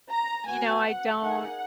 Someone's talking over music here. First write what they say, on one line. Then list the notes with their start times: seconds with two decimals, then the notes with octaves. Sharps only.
you know, I don't
0.10 A#5
0.46 B3 F#4 G#5
0.84 F#5
1.20 A#3 D#4 G#4 F#5